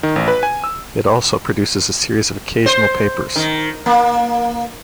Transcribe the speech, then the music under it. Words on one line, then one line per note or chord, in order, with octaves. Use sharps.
It also produces a series of occasional papers.
D#3
A1
B4
G#5
E6
C5
D#3
A#3